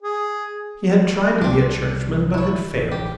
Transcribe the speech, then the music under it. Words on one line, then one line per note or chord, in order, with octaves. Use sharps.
He had tried to be a churchman but had failed.
G#4
C2 C4 D4
E4 C#5
A1
G4